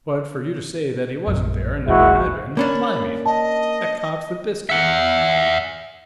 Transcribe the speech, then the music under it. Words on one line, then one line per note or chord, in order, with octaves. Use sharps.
But for you to say that he wasn't there, and never had been,--blimey! that cops the biscuit.
A#1 F#2
E1 A#1 D#2 G#3 E4 F#4
A#3 C#4 D4 B5
D#5 A5
E5 F#5